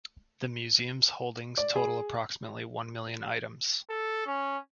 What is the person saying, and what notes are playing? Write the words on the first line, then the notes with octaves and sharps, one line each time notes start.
The Museum's holdings total approximately one million items.
D5
G#4
A4
C#4